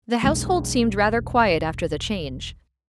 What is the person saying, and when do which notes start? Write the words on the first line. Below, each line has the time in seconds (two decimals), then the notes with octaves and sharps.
The household seemed rather quiet after the change.
0.23 E1 B1